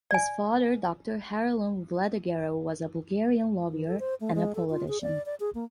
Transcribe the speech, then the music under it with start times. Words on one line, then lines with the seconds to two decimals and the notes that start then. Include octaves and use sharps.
His father Doctor Haralan Vladigerov was a Bulgarian lawyer and a politician.
0.11 D5 G#5
3.70 E3
3.88 A4
3.99 C5
4.21 A3
4.35 G#3
4.55 A4
4.70 F4
4.88 G#4
5.02 D5
5.26 D5
5.40 G#4
5.55 A#3